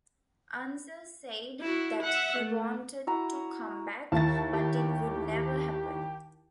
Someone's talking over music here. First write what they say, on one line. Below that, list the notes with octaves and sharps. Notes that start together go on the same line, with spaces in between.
Unser said that he wanted to come back, but it would never happen.
E4 F#4
E5 F#5
A3
E4 F#4 A#5
D#2 E4 A5 A6
G4